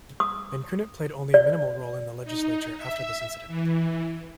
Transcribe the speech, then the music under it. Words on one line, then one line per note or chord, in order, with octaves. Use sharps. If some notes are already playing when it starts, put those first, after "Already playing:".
Vankoughnet played only a minimal role in the legislature after this incident.
D#6
D5
D#4
E5
E3